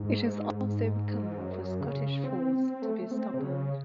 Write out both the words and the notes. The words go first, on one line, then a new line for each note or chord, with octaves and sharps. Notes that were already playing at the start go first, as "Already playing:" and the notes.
It is also common for Scottish Folds to be stubborn.
Already playing: G#2
G#2
F#2
C#3
C4
C4
A3
A3
C4
C3
C#3